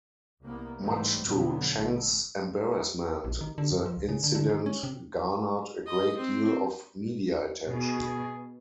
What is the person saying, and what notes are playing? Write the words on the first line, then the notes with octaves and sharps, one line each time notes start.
Much to Cheng's embarrassment, the incident garnered a great deal of media attention.
C2 A#3 B3
G#2 E3 G3 A3 C4
F2 B2 D3 F#3 B3
A1 A3
A#1
D#3
D3
F#2
F3
C#2
C#3
D3
D3
D#3
C#4
C3
D#5
C4
B2 G#4